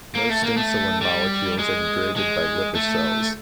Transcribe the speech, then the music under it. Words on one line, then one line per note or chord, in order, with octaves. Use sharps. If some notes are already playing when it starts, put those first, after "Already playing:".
Most insulin molecules are degraded by liver cells.
A#3
A3
A#3
A3
G3
G#3
G#3
A3